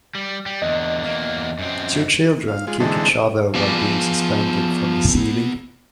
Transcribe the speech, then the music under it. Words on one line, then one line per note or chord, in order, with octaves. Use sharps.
Two children kick each other while being suspended from the ceiling.
G3
G3
E2 D3 D#5
E2 A#3
F#2 C4
F5
G#3 F4
D3 E3 G#3 C4 D#4 A4
F3 B3 G#4 D5